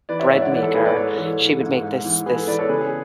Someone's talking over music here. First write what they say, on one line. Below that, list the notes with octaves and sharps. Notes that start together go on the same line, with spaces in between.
bread maker, she would make this this
E3 B4 D5
C#5 E5
G#2 C#5 E5
D5 F#5
E3
A4
E3 G#4 B4
B4 D5
G#2 A4 C#5
E3 A4
G#2
G#2
G#2
E3
E3 G#4 B4
A4
E3 B4 D5
A4 C#5
C#3 G#4 B4
G#4